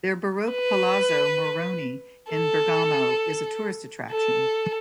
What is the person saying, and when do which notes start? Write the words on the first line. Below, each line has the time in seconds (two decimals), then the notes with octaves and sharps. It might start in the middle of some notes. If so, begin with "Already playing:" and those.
Their Baroque Palazzo Moroni in Bergamo is a tourist attraction.
0.51 B4
2.31 A4
4.11 A4